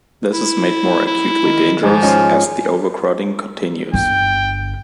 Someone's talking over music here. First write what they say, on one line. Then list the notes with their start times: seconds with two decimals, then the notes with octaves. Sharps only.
This is made more acutely dangerous as the overcrowding continues.
0.33 E4
1.06 E4
1.45 D#3
1.83 G#2 F3
2.02 C#4 D#4 F4
3.94 G1 G5